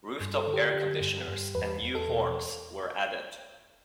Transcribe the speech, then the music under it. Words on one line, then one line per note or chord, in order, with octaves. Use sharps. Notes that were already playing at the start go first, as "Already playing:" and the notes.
Rooftop air conditioners and new horns were added.
G2
A4
D3
G4
D3
G2
G2
E2 B4
E2
A4
B2